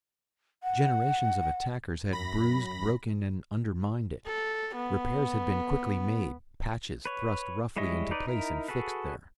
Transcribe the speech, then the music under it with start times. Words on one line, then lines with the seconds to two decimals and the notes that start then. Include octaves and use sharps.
Generations of attackers had bruised, broken, and undermined it. Repairs had been quickly made, patches thrust roughly into place and fixed there.
0.63 F#5
2.11 F#2 B5 A#6
4.27 A4
4.76 B3
7.05 B4 C#5
7.76 G3 G#3 E4 C#5 D#5
8.11 D#4 B4 D5
8.27 D#4 E4 A#4
8.68 F#4 G#4 A4 B4